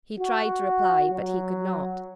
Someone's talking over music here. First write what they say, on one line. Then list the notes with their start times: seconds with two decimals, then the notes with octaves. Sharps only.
He tried to reply, but he could not.
0.19 F#4
1.09 F#3